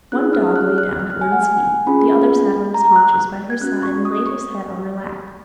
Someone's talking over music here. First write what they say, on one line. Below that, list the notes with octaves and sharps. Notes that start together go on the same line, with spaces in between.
One dog lay down at Lynde's feet, the other sat on his haunches by her side and laid his head on her lap.
C#4 F4 G#4 F#6
F6
F#6
F#6
F6
F#6
G#5
F#5
G#5
G#5
C#4 F4 G#4 B5
A#5
F#6
G#6
C#4 F#4 F#6
C#6
D#6
C#6